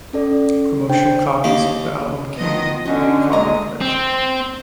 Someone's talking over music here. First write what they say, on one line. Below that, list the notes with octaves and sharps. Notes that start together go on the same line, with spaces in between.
Promotional copies of the album came with copy protection.
C#4 A4 D5
D4 C5 G5
D#2 A#3
D#3 F3 B3 D#5
D3 C#4 F#4 D#5
A#2 G#3 D#5 A#5
C4